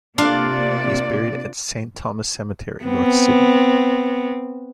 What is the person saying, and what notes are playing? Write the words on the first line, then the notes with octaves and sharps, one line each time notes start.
He is buried at Saint Thomas cemetery, North Sydney.
C3 A#3 D4 F4 D5 F5
B3 C4